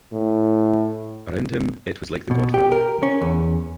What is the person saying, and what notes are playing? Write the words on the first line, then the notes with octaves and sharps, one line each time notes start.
Around him it was like "The Godfather".
A2
B2
G4
A#4
C#4
E2